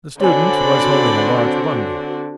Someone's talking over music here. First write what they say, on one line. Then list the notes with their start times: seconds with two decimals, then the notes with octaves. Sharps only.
The student was holding a large bundle.
0.21 D3 C4 D4 F#4 C#5 D5 G#5 B5